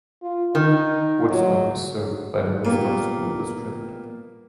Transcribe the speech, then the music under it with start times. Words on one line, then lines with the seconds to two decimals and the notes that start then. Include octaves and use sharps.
Woodstock is served by the Woodstock School District.
0.22 F4
0.55 D#3 D#4
1.31 F#3
2.65 A#2 G3 A#3 B3